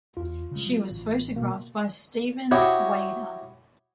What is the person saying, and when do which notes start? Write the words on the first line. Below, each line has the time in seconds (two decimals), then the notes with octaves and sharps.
She was photographed by Stephen Wayda.
0.17 E2 F4
0.51 C#3 G#3
0.66 F#3
0.91 A1
1.36 B2 A#3
2.51 E4 F#4 G4 C#5 D#5